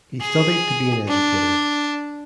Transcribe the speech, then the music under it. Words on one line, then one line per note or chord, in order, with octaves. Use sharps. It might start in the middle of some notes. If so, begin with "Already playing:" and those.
He studied to be an educator.
G#4
D4